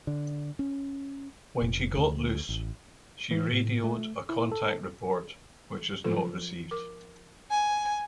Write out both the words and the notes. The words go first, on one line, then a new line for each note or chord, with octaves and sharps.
When she got loose, she radioed a contact report, which was not received.
D3
C#4
F1
D2
A1
E3
A2
A3
E4
A4
F3 F4 A4
A#4 D6
G#5